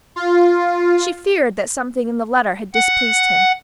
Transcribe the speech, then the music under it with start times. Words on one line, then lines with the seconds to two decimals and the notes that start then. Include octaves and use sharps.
She feared that something in the letter had displeased him.
0.16 F4
2.74 F#5